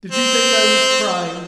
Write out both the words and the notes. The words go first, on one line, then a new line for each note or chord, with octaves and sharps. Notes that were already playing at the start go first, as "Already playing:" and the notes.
Did you think I was crying?
C4